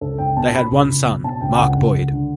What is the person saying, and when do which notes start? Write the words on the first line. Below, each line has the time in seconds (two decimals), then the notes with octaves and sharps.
They had one son, Mark Boyd.
0.01 C#2 A4
0.18 C#2 G5
0.37 B2 A5
0.54 B2 B5
0.71 C#2
0.89 C#2
1.06 B2
1.24 B2 A5
1.41 C#2 G5
1.59 C#2 F#5
1.77 C#2
1.94 C#2
2.12 D3